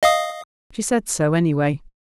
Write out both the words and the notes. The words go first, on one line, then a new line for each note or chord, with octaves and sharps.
She said so, anyway.
D#5 F5 D#6